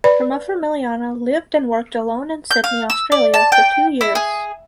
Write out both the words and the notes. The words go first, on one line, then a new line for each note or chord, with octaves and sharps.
Her mother Miliana lived and worked alone in Sydney, Australia for two years.
B4 D5 B5
G6
F5
E6
D5
A5
G5
E4
G#4